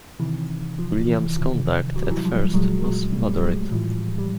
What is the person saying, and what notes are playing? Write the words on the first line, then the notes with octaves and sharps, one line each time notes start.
William’s conduct at first was moderate.
C3 D#3 E3
F3
E3
C3 D#3 F3
F#3
G3
E3 F#3
F3 G3
A#2 F#3 G#3
F#3 G#3
G3 A3
G3
F#3 G#3
A2 E3 F3 G3
G3